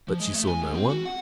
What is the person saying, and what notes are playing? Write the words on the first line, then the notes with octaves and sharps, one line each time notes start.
"But she saw no one?"
F3
G#3
A3
G#5
G#2
C4
F#4
F#5